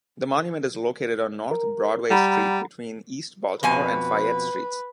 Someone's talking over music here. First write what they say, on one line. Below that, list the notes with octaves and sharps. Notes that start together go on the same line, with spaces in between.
The monument is located on North Broadway Street between East Baltimore and Fayette Streets.
A#4
G3 F#5 A#5 B5
F2 B2 B4 G#5